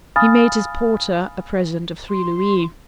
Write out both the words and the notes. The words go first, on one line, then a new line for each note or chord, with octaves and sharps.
He made his porter a present of three louis.
F5 G#5 B5 D#6 F6 A6
C6